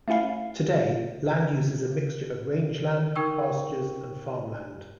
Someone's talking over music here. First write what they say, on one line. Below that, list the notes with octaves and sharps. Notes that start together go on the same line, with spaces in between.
Today, land use is a mixture of rangeland, pastures, and farmland.
A3 C#4 E4 F5
D#4 A#4 G5 C#6 E6